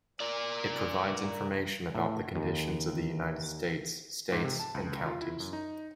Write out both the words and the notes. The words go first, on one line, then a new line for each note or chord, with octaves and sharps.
It provides information about the conditions of the United States, states, and counties.
A#4 D5
A2
D#2
G#2
C3
A5
C#2
F4
E4
F#2
D#4